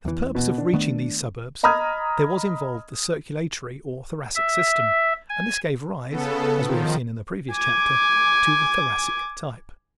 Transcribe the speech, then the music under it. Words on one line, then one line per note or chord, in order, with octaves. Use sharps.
For the purpose of reaching these suburbs there was involved the circulatory or Thoracic system, and this gave rise, as we have seen in the previous chapter, to the Thoracic type.
E2 E3
B2
D4
D#3 A3 B3
D#5 A#5 B5 D#6 F6 G#6
E5
G#5
C#3 B3 A4
D#3 F3
G#5 D6